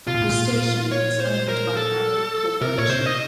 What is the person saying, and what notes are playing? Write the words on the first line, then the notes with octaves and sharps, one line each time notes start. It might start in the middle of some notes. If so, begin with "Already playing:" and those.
The station is owned by Meredith Corporation.
C3 F4
A#2
A2
A#2
C#5
C5
A#4
A4
C3 A#4
A#2 C#5
C3 C5
D#5